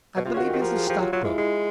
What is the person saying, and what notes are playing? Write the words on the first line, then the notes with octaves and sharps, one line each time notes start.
I believe he's a stockbroker.
B2
C3 F4
C#3 F#4
D#3
G4
D#3
F3 A#4
G#4
F3 G4
F#3 F4
F#3 F4
G#3 E4
G#3 E4